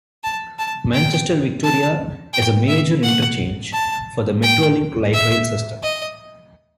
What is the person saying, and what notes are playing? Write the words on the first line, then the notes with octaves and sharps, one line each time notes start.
Manchester Victoria is a major interchange for the Metrolink light rail system.
A5
A5
G5
A5
G5
E5
F#5
A5
G5
E5
D#5